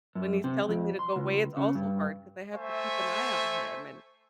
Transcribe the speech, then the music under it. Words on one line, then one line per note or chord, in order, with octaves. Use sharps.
when he's telling me to go away, it's also hard 'cause I have to keep an eye on him and
F#2
C3
F2
C6
C#2
C#3
G2
A3 C5 E5 G#5 C#6